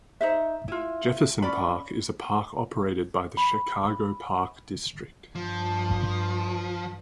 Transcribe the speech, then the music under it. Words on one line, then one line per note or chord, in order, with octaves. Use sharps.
Jefferson Park is a park operated by the Chicago Park District.
D#4 C5 E5
E4 F4
C#4 D5 B5
B5
G2 F3